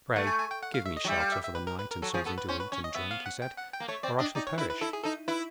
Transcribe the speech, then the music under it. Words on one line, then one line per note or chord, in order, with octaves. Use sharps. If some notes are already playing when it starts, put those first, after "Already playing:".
'Pray give me shelter for the night, and something to eat and drink,' he said, 'or I shall perish.'
A3 F#5
G#5
G#5
G5
F#5
F5
E5
D#5
F#3
G3 E5
F5
E5
E5
B4
A#4
B4
A#4
F#3 A4
F3 G#4
B3 A4
B4
C#4 C5
B4
C#4 C#5
D#5
B3 E5
F5
F#5
G5
F#5
G5
A#3
A3 C#5
C4 D5
D4 D#5
D#4 D5
C#5
E4 B4
B4
E4 A4
G#4
D#4 A4
E4 B4